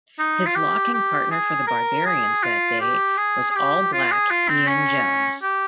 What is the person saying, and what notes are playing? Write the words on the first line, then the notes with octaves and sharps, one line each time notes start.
His locking partner for the Barbarians that day was All Black Ian Jones.
D#4
F4
G4
G4
G#4
A#4
G#4
F4
G4
G#4
G#4
G4
F4
G#4
F4
C4
C#4
G4